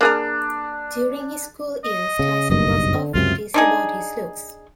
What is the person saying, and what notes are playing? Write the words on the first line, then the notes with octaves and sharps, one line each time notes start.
During his school years, Tyson was often teased about his looks.
A#3 D4 G#4 A#4
D#5
C#3
F#1 B1 G2 D#5
D3
C#2 F#2 C3 F4
D4 D#4 G#4